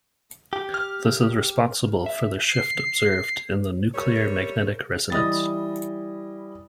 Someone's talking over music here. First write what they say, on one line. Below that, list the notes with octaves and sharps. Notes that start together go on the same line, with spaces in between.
This is responsible for the shift observed in the nuclear magnetic resonance.
G4
F6
E5
C7
G3 A3 A#4 C#5
E3 G3 E4 D#5 D#6 A6